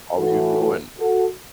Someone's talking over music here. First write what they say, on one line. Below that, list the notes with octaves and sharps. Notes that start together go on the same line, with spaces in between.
how you doin'?"
A2 E3 F#4 A4
F#4 A4